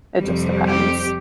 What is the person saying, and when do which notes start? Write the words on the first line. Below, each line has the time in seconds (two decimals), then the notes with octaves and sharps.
it just depends.
0.20 F2 C3 G3
0.67 G4